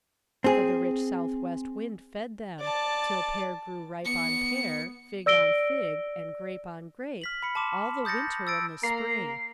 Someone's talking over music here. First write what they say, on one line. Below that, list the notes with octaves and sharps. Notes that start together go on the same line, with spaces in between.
For the rich southwest wind fed them, till pear grew ripe on pear, fig on fig, and grape on grape, all the winter and the spring.
C4 G#4
D5 A5
B3 C#7
D5 E6 A#6 D7 G7
F6 B6 F#7
B5 C#7
A5 C6 D6 E7
D#6 G6 A6 A#6 C#7
E6 A6 D7
A#3 A#5 C7